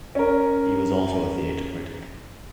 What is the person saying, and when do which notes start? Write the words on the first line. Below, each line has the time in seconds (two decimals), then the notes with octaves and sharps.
He was also a theatre critic.
0.15 C#4 A#4